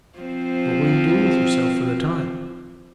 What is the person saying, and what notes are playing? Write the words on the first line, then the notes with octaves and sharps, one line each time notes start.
"What will you do with yourself for the time?"
F3 C4